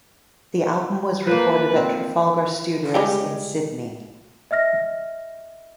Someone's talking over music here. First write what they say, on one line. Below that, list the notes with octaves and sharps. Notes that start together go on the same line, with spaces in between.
The album was recorded at Trafalgar Studios in Sydney.
F3 A#3 B4
C4
G3 G#3 G4
D#5 E5 F6 A#6